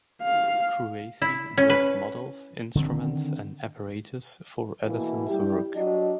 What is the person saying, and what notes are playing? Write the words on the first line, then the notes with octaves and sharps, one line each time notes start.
Kruesi built models, instruments, and apparatus for Edison's work.
F5
E4
C#4
B4
D3 D#3 C4
B2 E3 A3 A#3 E4
G3 E4 G4
F#3 D4 D#5